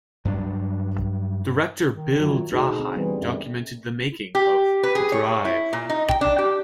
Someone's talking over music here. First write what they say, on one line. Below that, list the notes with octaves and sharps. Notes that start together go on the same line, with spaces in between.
Director Bill Draheim documented the making of "Drive".
G2 F#3 D4
D#3
F#3 E4 F4
D2 B2 D3 D#4 F#4 G#4
C4
E3 G3 B3
F#2
G4
B4
G#4
C#5
E4
A#2
D#4
G5
D4
G4